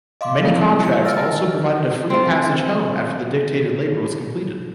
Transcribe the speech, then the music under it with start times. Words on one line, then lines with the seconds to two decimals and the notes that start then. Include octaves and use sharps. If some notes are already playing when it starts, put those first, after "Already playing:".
Many contracts also provided a free passage home after the dictated labor was completed.
0.21 D#5 F5 C6 D6
0.42 F3 G#3 A#3 C4 E4 F4
0.85 E5 C#7
1.05 E6 F6 A6 A#6 D7
2.10 C4 F4